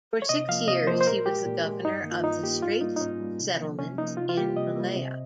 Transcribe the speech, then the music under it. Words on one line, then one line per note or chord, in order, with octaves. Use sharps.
For six years, he was the governor of the Straits Settlements in Malaya.
C#5
C3 D#5
F3 A#3 F5
C3 D#5
F3 A#3 C5
C5
A#2 A#4
G#3 G4
A#2
G#3
G2 D#4
D#3 A#3
F4
G2 D#4
D#3 A#3 G4
G#2 F4
G3 A#3 D#4
D#4
G#2 C#4
G3 A#3
C3
F3 A#3
C3 C#4
F3 A#3 D#4
C3 F4
F4
G3 A#3 G4
C3 D#5
G3 A#3
C3